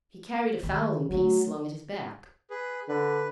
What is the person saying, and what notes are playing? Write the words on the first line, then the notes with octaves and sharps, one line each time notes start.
He carried a fowling-piece slung at his back.
D#3
F#3 A3 C#4
G#4 B4
D3 B4